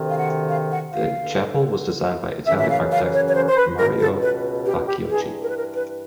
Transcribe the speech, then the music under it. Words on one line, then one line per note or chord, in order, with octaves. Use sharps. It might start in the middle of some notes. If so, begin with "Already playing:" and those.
The chapel was designed by Italian architect Mario Bacciocchi.
Already playing: D2 C3 D#3
F5
F#5
F5
F#5
F5
G2 D3
F#2 C#3 E3 E5
E5
F5
F5
C#5
C#5
C5
C5
B4
C#2 B2 A#4
A4
B4
G4
G4
G2 E3 G#4
A#4
B4
A#4
B4